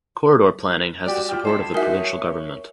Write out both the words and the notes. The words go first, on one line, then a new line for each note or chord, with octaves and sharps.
Corridor planning has the support of the provincial government.
F#4 G4 D5
E4 F4 G4
E4 A4 C5
D#4 F#4 G#4 A#4 E5
C#5